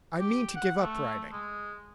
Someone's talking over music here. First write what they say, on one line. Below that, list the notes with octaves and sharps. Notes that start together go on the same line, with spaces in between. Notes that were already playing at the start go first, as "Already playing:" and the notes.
I mean to give up riding.
G4
F#5
A3
G#3